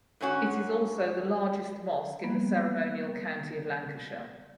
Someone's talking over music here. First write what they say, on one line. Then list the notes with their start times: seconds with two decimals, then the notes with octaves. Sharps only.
It is also the largest mosque in the ceremonial county of Lancashire.
0.21 G#2 D3 C#4 F#4
2.23 F3 G3 A#3 B3